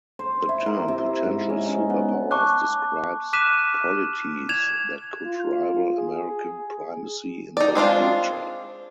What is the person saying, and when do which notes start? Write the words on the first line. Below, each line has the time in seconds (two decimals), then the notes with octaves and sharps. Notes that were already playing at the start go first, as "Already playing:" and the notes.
The term "potential superpowers" describes polities that could rival American primacy in the future.
0.19 C5
0.49 E4
0.66 A#4
0.88 C3
1.24 G#2
1.50 C#4
1.66 D#4
1.90 B3
2.31 A5 C#6 D6 F#6
3.33 D6 F6 F#6 B6 D#7 E7
4.49 G#6 E7 F7
5.26 F4
5.97 G#4
7.57 D#4 D5
7.75 G#3 C4 D4 F4